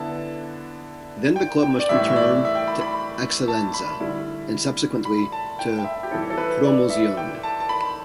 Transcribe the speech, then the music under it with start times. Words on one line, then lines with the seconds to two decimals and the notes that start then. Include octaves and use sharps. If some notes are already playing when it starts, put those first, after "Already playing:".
Then the club must return to Eccellenza and subsequently to Promozione.
Already playing: D3 B3 E4 A5
1.36 G5
1.63 G5
1.79 D5
1.89 A2 E3 G3 E5
2.08 E5
2.16 D5
2.45 E5
2.55 G5
2.68 B5
2.81 B5
3.48 A5
3.74 B5
4.00 D3 G3 E4
5.05 B5
5.32 A5
5.59 G5
5.79 G5
5.84 E5
6.03 G4
6.11 E3 G3 E4 A4
6.30 A4
6.37 B4
6.64 D5
6.90 E5
7.17 G5
7.43 A5
7.60 A5
7.69 B5